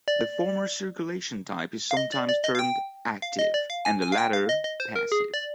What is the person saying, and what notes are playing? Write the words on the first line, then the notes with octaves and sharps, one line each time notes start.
The former circulation type is sometimes termed "active", and the latter "passive".
D5
F5
D#5
D5
D5
D#5
F5
G5
F5
D#5
D5
F5
G#5
G#5
F5
G5
F5
D#5
D#5
C5
A#4
G#4
D5